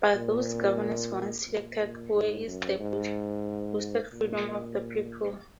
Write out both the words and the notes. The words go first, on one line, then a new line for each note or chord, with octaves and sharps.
But those governors once selected, where is the boasted freedom of the people?
A#2
A#2
A#2
G#2
F#2
G#2
A#2